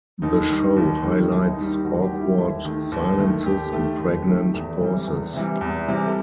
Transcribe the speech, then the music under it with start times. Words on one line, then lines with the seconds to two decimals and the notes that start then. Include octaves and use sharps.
The show highlights awkward silences and pregnant pauses.
0.22 D#2 D#4
0.50 D#3 G3
0.76 D#2
1.03 D#3 G3
1.30 D#2 E4
1.48 D#4
1.57 D#3 G3
1.66 D#4
1.84 D#2 F#4
2.02 G4
2.11 D#3 G3
2.20 E4
2.38 D#2 E4
2.65 D#3 A3
2.92 D#2
3.19 D#3 A3
3.46 D#2 G4
3.73 D#3 A3
4.00 D#2
4.27 D#3 A3
4.54 E2 A4
4.81 C3 E3 G3
5.07 E2
5.34 C3 E3 G3
5.61 E2
5.88 C3 E3 G3
6.06 A4